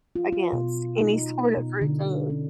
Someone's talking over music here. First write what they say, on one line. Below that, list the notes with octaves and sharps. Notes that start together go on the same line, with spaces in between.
against any sort of routine
F4
F4
B2
D#4
B2
D3
C#4